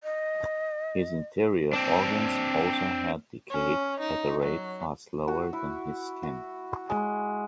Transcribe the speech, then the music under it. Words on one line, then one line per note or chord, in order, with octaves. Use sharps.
His interior organs also had decayed at a rate far slower than his skin.
D#5
C4 D4
C#4
D#4
F#3
F#4
E4
F#4
G#3